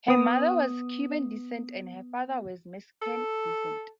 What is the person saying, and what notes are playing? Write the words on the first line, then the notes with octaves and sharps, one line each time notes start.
Her mother was Cuban descent and her father was Mexican descent.
B3 D#6
A4